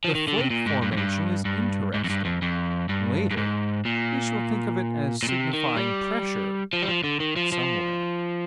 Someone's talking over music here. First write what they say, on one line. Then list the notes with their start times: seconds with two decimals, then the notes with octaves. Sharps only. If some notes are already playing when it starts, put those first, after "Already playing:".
The flake-formation is interesting: later we shall think of it as signifying pressure--somewhere.
0.05 F3
0.15 D#3
0.28 D3
0.38 C3
0.50 A#2
0.66 G#2
0.82 G2
0.92 F2
0.97 G2
1.45 G2
1.94 G#2
2.04 F2
2.10 G2
2.25 F2
2.42 F2
2.89 G2
3.31 G2
3.37 G#2
3.85 A#2
5.23 A#2
5.29 C3
5.53 D#3
5.76 G3
6.73 F3
6.82 G3
6.88 F3
7.04 D3
7.20 D#3
7.36 F3
7.52 F3